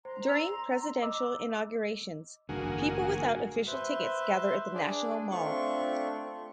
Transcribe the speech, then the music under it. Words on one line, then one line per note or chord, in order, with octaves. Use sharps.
During presidential inaugurations, people without official tickets gather at the National Mall.
C5 A#5 C6
D5 E6 F7
D#5 D6 E6
A1 G2 D3 A#3 F#4 G#4
B4 C5 E5
D4 G#4 D5
A3 C4 D4 F4 C#6